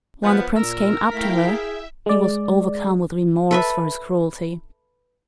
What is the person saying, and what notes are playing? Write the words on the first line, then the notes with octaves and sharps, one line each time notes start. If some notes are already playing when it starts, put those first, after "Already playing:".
When the prince came up to her, he was overcome with remorse for his cruelty.
F3 B3 B4
A#2 A#4 E6
A3 E4 F5 G5 B6
G#4 E5
G#3 D5
A4 B4 E5